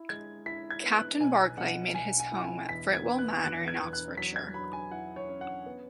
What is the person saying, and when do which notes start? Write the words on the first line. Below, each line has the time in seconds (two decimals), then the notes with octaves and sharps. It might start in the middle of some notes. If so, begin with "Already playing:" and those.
Captain Barclay made his home at Fritwell Manor in Oxfordshire.
Already playing: E4
0.09 G#3 G#6
0.46 E4 B6
0.70 G#6
0.84 B3
0.96 F#6
1.20 B1 G#5
1.57 B1 F#5
1.95 B1 G#5
2.20 G#5
2.32 E4
2.44 G#5
2.69 E2 B6
2.94 G#6
3.06 B3
3.18 F#6
3.43 E2 F#6
3.68 G#6
3.80 E2
3.93 F#6
4.17 F#3 B6
4.36 G#6
4.54 F#3 B5
4.73 G#5
4.91 E4 F#5
5.16 C#5
5.29 C#4
5.41 F#5
5.66 B3